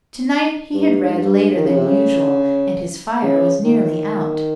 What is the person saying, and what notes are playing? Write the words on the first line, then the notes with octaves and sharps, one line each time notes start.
To-night he had read later than usual, and his fire was nearly out.
G2
G#2
G2
D#3
C#3
C3
C#3
C#3
D#3